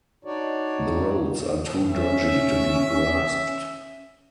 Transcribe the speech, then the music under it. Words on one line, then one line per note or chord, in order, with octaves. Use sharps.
The roads are too dodgy to be grasped.
D4 D#4 F#4 C#5 D5
C#4 E5